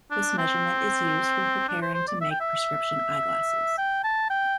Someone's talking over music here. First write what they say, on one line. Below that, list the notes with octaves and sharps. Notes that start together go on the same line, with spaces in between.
This measurement is used when preparing to make prescription eyeglasses.
D4
C4
D4
C5
C5
D5
E5
G5
E5
G5
A5
G5